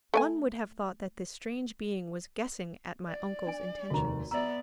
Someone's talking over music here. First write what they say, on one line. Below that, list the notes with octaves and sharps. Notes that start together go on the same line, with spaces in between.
One would have thought that this strange being was guessing at my uncle's intentions.
A3 D5 G#5
D5
D4 G#5
F1 D#2 F#4 A#5
B3 D5 E5 A#5 E6